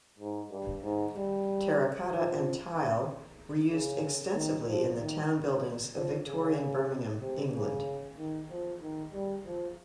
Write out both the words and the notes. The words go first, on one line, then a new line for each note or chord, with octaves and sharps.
Terracotta and tile were used extensively in the town buildings of Victorian Birmingham, England.
G#2
G2
G#2
G3
F3
C#3
D#3
F3
D#3
F3
C#3
C3
C#3
D#3
F3
D#3
G3
F3